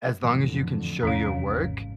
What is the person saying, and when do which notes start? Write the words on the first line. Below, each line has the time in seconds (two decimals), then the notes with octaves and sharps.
as long as you can show your work
0.23 F2 A2 D3 E3 F#3
1.03 E2 C3 C#4 C#5 F5
1.47 G#1